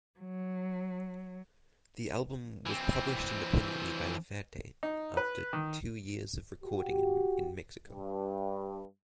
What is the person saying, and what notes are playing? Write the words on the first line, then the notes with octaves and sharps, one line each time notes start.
The album was publish independently by Laferte after two years of recording in Mexico.
F#3
E3 C4
D#4
B4
D#3
F#4 G4
G2